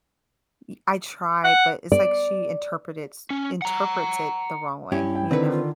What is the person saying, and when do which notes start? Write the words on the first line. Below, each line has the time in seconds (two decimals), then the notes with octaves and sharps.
Eh, I try, but it's like she interpret it's interprets it the wrong way, you know?
1.44 F#5
1.92 D5
3.30 C#4
3.62 F#5 A#5
4.92 G2 C#4 E4 G4
5.15 G5
5.31 D3 D#3 C4 B4
5.50 F4